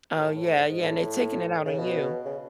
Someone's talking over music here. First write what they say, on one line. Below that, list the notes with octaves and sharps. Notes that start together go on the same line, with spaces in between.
Oh yeah, yeah, and they taking it out on you.
B2
A2
A2
G#2
G#2
A2
C#3
B2
C#3